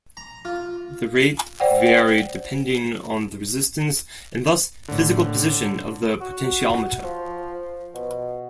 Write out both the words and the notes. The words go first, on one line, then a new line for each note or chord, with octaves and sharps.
The rate varied depending on the resistance, and thus physical position, of the potentiometer.
A#5
F4
C5 D5 F#5 G5
D#2 A2 D3
F#4
F3
B2